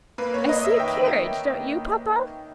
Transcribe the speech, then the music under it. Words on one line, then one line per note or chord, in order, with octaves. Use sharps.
"I see a carriage; don't you, papa?"
A#3 B4
A#3 C#5
D#5
A#3
E5
D#3 G5
D#3